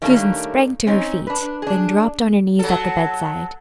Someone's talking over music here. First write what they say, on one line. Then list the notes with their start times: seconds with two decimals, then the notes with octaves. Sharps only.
Susan sprang to her feet, then dropped on her knees at the bedside.
0.02 D#3 G3 A3 A#3 C#4 D4
0.87 C4 C#4 D#4
1.27 D4 B4
1.62 D4 G#4
2.59 F#3 A4